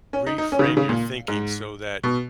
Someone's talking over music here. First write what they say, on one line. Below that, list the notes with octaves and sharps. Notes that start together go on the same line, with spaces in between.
reframe your thinking so that
C#4
D#4
D#4
C#4
C#3
D#3
C#3
A#2
G#2
B2